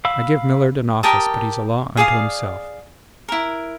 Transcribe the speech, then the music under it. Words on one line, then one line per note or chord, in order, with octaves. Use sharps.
I give Millard an office but he's a law unto himself.
F5 B5 E6
G4 A#4 A5 D#6
G#4 D5 F5 D#6
E4 A#4